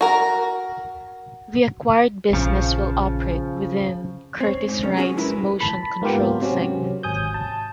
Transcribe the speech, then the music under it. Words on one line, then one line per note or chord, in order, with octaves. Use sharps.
The acquired business will operate within Curtiss-Wright's Motion Control segment.
F#4 A#4
A#1 C#3 F3
C4 C#5
G#2
C3 F#3 A3 C#4
F3 C#4 F#4 G#4
G#3 E4 A#4 B4
A5 B5
G#2 A#3 B3 F4 G4
C3 F#3 C4 C#4
G#1 G#5 D#6 G6
A5